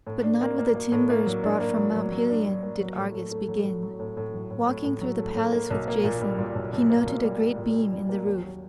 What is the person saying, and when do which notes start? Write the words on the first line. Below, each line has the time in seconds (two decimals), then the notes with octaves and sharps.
But not with the timbers brought from Mount Pelion did Argus begin. Walking through the palace with Jason he noted a great beam in the roof.
0.07 A2
0.23 D4
0.41 A#3
0.59 A#3
0.75 A#3
0.92 A2
1.10 A#3
1.26 F#3
1.43 D4
1.60 A#3
1.77 F#3
1.95 F#3
2.12 F#3
2.29 D4
2.46 D4
2.63 A#3
2.80 F#3
2.97 A2
3.14 A3
3.31 A3
3.48 F#3
3.65 F#3
3.83 F#3
3.99 A2
4.17 A2
4.34 F#3
4.51 A2
4.67 A2
4.85 A2
5.01 F#3
5.19 A3
5.36 A2
5.53 A#3
5.71 B1
5.88 A#3
6.04 A#2
6.21 G3
6.39 A#2
6.55 B1
6.73 B1
6.90 A#3
7.07 B1
7.24 G3
7.41 G3
7.58 A#2
7.75 G3
7.93 G3
8.09 A#3
8.26 D#2
8.43 F#3